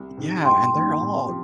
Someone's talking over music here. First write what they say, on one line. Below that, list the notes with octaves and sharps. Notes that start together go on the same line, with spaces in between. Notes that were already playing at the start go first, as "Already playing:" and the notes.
Yeah, and they're all
Already playing: C2
C3 D#3
G2 G5 C6
D#3 A#3
C3
F3